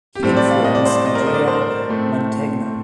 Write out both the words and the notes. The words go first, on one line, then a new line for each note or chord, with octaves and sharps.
He influenced Andrea Mantegna.
G4
A2 G3 C4 A4
D5
F5
D#5
D5
C5
D5
D#5
A#4
C5
D#5
D5
C5
A#4
C5
A2 A3 C4